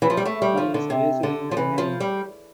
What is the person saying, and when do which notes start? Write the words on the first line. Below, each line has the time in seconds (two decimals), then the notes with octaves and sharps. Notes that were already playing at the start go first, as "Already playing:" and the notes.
He is based in Chennai.
0.02 E3
0.10 F3
0.17 G3
0.25 A3
0.42 G3
0.57 F3
0.74 D3
0.90 C3
1.23 D3
1.51 F3
1.57 E3
1.78 F3
2.00 G3